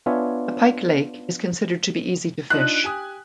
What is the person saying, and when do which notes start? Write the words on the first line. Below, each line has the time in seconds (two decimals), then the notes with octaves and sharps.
The Pike lake is considered to be easy to fish.
0.06 B3 D4 F4 C#5 E5 G#5
2.50 D4 D#4 F4 F#6
2.84 G4 G#5 D#6